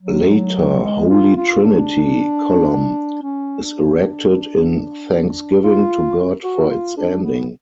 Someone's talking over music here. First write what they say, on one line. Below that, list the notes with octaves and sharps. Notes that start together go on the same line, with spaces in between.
Later Holy Trinity column is erected in thanksgiving to God for its ending.
F#3
G#3
F4
F4
D4
C#4
D4
F4
F#4
F4
D4
B3